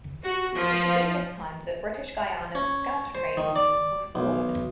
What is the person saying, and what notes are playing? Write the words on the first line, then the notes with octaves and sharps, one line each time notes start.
It was in this time that British Guiana's Scout Training Team was formed.
F#4
F3
C#4
C5
D#3
D5
B1